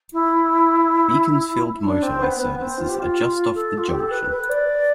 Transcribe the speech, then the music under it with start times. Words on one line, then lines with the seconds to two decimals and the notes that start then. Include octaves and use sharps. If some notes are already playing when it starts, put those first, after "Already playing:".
Beaconsfield motorway services are just off the junction.
0.13 E4
1.84 D4
2.02 C4
2.22 B3
2.40 B3
2.59 C4
2.78 F4
2.89 G4
2.99 F4
3.54 A4
3.77 F4
3.88 G4
4.00 A4
4.11 B4
4.30 B4
4.49 D5